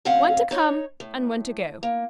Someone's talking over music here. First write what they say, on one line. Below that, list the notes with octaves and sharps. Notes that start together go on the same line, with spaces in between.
One to come, and one to go.'
D2 C4 C#4 F#4 F5 F#5
D#4 C#5
A2
A#3